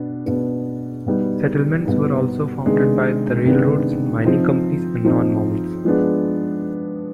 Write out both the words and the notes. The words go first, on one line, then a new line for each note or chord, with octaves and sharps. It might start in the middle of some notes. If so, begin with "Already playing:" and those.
Settlements were also founded by the railroads, mining companies and non-Mormons.
Already playing: B2 B3 D4
B2 B3 D4
B2 G3 B3 D#4
B2 G3 B3 D#4
C3 D#3 G#3 B3 D4
C3 D#3 G#3 B3 D4
F3 C4 D#4
F3 C4 D#4
F3 G#3 B3 D4